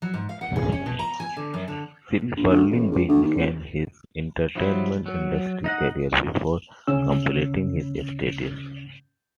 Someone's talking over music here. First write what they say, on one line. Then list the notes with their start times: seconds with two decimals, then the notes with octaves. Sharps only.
Silberling began his entertainment industry career before completing his studies.
0.02 F#3
0.14 G#2
0.29 F5
0.41 F#5
0.56 G#4
0.72 C#4
0.86 B2
0.99 A#5
1.20 G#5
1.37 D3
1.54 F#2
1.68 D3
2.37 A#1
2.49 D2
2.70 A1
2.92 C#2
3.08 D2
3.23 D#2
3.35 C#2
4.55 F3 F#3 E4
5.06 F#3
5.64 D#4 D#5 F#5
6.87 D2 C#3 C#4 E6